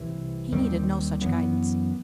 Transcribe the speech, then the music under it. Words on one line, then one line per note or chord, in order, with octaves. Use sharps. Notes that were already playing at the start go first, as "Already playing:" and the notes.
He needed no such guidance.
Already playing: C2 C3 E3
D#2 D#3 G3 C4
F#2 E3 B3